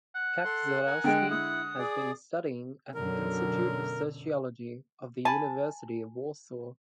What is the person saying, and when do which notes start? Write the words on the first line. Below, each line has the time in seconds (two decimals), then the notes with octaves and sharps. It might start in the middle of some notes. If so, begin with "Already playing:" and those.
Kaczorowski has been studying at the Institute of Sociology of the University of Warsaw.
0.15 F#5
0.45 A4 C6
0.86 A#4 G#5
1.04 D3 G#3 G5
1.30 E4 D#6
1.78 G#4 D5
2.95 F#2 B2 D3 A#4
5.25 G#5 A5 B5